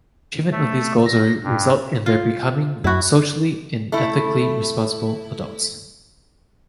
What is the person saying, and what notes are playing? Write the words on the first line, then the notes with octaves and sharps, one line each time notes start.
Achievement of these goals will result in their becoming socially and ethically responsible adults.
A3
A#6
G2
F4
F#2 E4 F#4
A3 E4